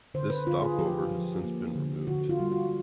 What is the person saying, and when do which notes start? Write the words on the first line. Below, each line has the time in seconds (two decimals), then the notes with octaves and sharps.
This stopover has since been removed.
0.14 D3 C5
0.30 B4
0.47 D3 F4
0.62 G#4
0.79 F3 G4
1.11 F3
1.44 A#3
1.75 D3
2.07 D3 F#4
2.29 F4
2.40 G3
2.51 F#4